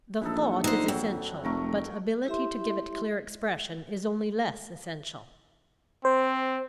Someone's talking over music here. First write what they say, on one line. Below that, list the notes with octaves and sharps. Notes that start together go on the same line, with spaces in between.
The thought is essential, but ability to give it clear expression is only less essential.
A#1 E3 D#4 A4
D3 D#4 C5
F2 F#3
F1 A3 A#4 C#6
E4 G4 E5 C6
C4 C5